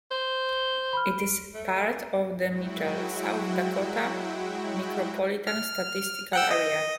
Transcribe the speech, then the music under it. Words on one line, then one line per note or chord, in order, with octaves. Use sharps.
It is part of the Mitchell, South Dakota Micropolitan Statistical Area.
C5
B5 F6
D7
A3
F#3 G#3 E4 F#4 G5
F6
F#5 G5 E6
D#5